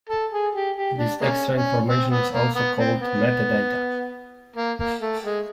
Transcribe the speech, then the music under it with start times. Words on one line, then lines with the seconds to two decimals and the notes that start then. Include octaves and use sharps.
This extra information is also called metadata.
0.09 A4
0.32 G#4
0.55 G4
0.76 G4
0.98 D4
1.21 G#3 A#3 C#4
1.55 C#4
1.89 C4
2.11 B3
2.33 A#3
2.56 B3
2.77 C4
3.00 B3
4.56 A#3
4.79 A#3
5.01 A3
5.24 G#3